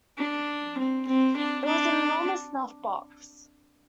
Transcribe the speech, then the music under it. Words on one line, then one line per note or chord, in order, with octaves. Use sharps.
It was an enormous snuff-box.
D4
C4
C4
D4
D4